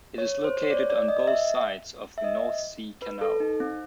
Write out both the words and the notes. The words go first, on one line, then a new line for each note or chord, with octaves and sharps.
It is located on both sides of the North Sea Canal.
C#5
C5
C#5
D5
D5
D#5
D#5
E5
E5
D#5
B4
A4
D#4
C4